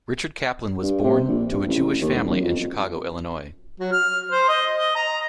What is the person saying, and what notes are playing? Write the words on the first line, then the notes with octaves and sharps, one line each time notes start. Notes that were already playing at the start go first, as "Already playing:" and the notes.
Richard Kaplan was born to a Jewish family in Chicago, Illinois.
G2
C3
A#1
G2
A1
D#2
E1
F#2
F2
F#3
F6
C5
D#5
D#5
A#5